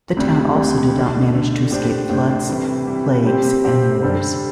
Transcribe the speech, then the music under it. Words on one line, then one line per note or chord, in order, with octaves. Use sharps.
The town also did not manage to escape floods, plagues and wars.
D2 C3 G3 D4
D2 C3 G3 D4
D3 A3 D4
D3 A3 D4
A2 A3 D4 G4 C5
A2 A3 D4 G4 C5
C3 E3 G3 E4
C3 E3 G3 E4
C3 G3 C4 G4 C5
C3 G3 C4 G4 C5
D3 G3 D4 A4 C5